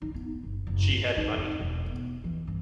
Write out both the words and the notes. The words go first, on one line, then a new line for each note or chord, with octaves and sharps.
She had money.
D#4
B3
G1
F#1
G#2
D#4
F1
E1
B3
E3
G2